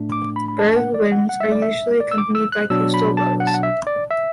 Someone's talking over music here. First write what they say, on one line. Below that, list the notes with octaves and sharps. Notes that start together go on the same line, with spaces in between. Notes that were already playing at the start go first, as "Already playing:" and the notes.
Berg winds are usually accompanied by coastal lows.
Already playing: A2 A3 D4
D6
B5
B5
A5
A5
F#5
D5
F#5
F#5
E5
D5
E5
D5
E6
D6
E6
F#6
B2 F#3 D4 E6
B5
A5
F#5
A5
F#5
E5
D5
E5